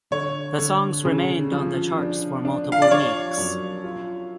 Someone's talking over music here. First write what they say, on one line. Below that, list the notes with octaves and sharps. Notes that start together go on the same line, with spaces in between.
The song remained on the charts for multiple weeks.
D3 C#5
D3
C#3
F3
D4
D4
F5
D5
F3 C#5
F#2
F4